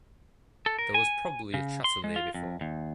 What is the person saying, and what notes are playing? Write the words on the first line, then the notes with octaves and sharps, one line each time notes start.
There was probably a Chatelier before.
A4
A#4
G#5
C#3
C6
G#3
F4
F2
D#2